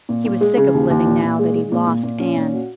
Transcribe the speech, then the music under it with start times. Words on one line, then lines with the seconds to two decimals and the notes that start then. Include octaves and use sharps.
He was sick of living now that he'd lost Anne.
0.09 A#2
0.25 A#2
0.41 G#3
0.57 C#3
0.74 D#2
0.90 D#2
1.06 A#2
1.23 A#2
1.39 G#3
1.55 G#3
1.72 A#2
1.87 A#2
2.03 A#2
2.20 C#4
2.36 A#2
2.53 F#4